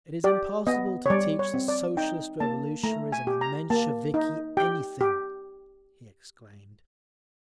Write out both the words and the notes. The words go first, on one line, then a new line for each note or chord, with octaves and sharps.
"It is impossible to teach the Socialist Revolutionaries and the Mensheviki anything!" he exclaimed.
G4 D5
B3 D#5
C#5
G3 D5
C#5
C4
D5
D#4 G5
A#3 A5
A3 A#5
G#5
G4
A#5
A#3 A5
D#4
G4 G5
G4